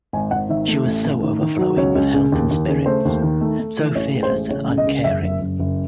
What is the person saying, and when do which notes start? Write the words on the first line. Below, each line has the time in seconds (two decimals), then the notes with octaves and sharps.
She was so overflowing with health and spirits, so fearless and uncaring.
0.13 G#1 G#5
0.31 G#1 F#5
0.49 D#3 E5
0.68 A3
0.86 A1
1.04 A2
1.23 D#3
1.41 D#3
1.59 F#3
1.77 C#2 C#5
1.95 C#2
2.14 C#3
2.32 D#2
2.51 D#2
2.69 C#3
2.86 A3 C5
3.05 D#2
3.23 D#3
3.41 A3
3.59 A3
3.78 E3
3.96 A1 C#5
4.14 G#3
4.23 C5
4.32 A1
4.50 C#3 C#5
4.68 C#2
4.78 D#5
4.86 C#3
5.04 F#1 E5
5.22 F#1
5.41 F#1
5.59 F#1